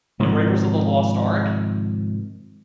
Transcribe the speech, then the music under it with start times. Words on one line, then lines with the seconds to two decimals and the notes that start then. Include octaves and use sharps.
In Raiders of the Lost Ark,
0.19 G#2 C3 D#3 F3